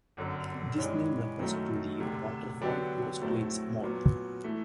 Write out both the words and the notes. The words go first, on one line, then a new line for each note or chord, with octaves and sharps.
This name refers to the waterfall close to its mouth.
G1 F#2 D3
G2 E3 G#3 C#4
F#2 D#3 F#3 A3
E1 D2 C3
D3 F#3 B3 D4 G4
A#1 A2 F#3 A3 C4
A#2 F#3 B3
E3 A3